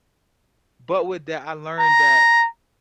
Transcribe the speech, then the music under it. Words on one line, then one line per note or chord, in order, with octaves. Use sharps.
But with that, I learned that
A#5